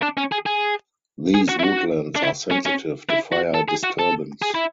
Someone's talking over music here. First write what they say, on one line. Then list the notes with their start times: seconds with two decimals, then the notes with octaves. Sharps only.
These woodlands are sensitive to fire disturbance.
0.02 D4
0.17 C#4
0.32 G#4
0.46 G#4
1.34 G#4
1.49 F#4
1.59 E4
1.64 F#4
2.16 D4
2.23 E4
2.51 C#4
2.66 C#4
3.10 E4
3.32 F#4
3.54 A4
3.68 G#4
3.83 F#4
3.99 A4
4.42 G#4
4.54 E4